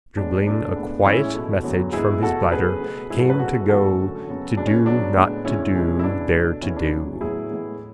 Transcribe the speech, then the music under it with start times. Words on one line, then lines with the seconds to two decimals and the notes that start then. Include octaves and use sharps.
Dribbling a quiet message from his bladder came to go to do not to do there to do.
0.17 A2 G#3 B3 D4
0.47 E2 B2 A3 D4
0.76 A2 G#3 B3
1.05 A2 E3 G#3 C#4 E4
1.34 B2 A3
1.63 E2 D3 F#3 B3
1.93 G#2 G#3 B3 E4 G#4
2.22 E2 B2 A3 F#4 A4
2.51 C#3 F#3 B3 G#4 B4
2.81 B2 A3
3.10 G#2 F#3 B3 E4 G#4
3.20 F#4 A4
3.30 G#4 B4
3.39 C#3 G#3 B3 F#4 A4
3.69 G#2 E3 B3 F#4 A4
3.98 F#2 D3 A3
4.28 F#2 C#3 F#3 B3
4.57 B2 G#3 B3 D4
4.67 C#4
4.86 C#3 F#3 B3 D4
5.16 A2 G#3 B3
5.45 E2 D3 G#3 C#4 E4
5.74 B2 G#3 B3
5.99 E4
6.03 C#3 G#3 B3 D4
6.33 B2 A3
6.62 C#3 E3 B3 C#4 E4
6.77 D4
6.91 E2 C#3 F#3
7.21 A2 F#3 B3 E4 G#4
7.50 A2 E3 G#3 B3